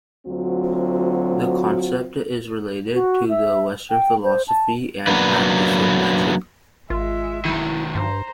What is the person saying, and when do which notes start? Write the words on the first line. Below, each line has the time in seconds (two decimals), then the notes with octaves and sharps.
The concept is related to the Western philosophy and practice of magic.
0.26 D2 F#3 C4 F4 F#4
2.93 F#4
3.29 E5
3.90 G5
4.24 C5
4.48 A5
5.07 F#3 A#3 B3 D4 B4
6.90 G#1 G#3 F4 E5
7.45 D#3 F#3 E4
7.95 G2 C5 A#5